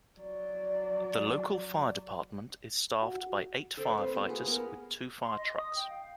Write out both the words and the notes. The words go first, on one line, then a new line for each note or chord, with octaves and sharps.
The local Fire Department is staffed by eight fire fighters with two fire trucks.
F#3 D5
F#4
A4 C5 G5 B5
A3 C4 B4
B3 F4 G4
G#4
B3 G#4 A#4
C6
D#5
D#6
G5
F5